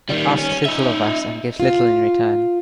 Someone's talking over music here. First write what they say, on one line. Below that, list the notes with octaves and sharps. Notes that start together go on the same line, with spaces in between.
It asks little of us, and gives little in return.
D#3 G3
C#4
D#4 E5
F4